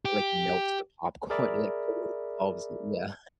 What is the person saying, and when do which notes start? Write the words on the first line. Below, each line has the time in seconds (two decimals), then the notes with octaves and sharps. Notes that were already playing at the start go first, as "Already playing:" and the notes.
it, like, melts the popcorn, it, like, totally dissolves y yeah,
0.05 G4
1.30 G#4 A#4 D5 E5 B5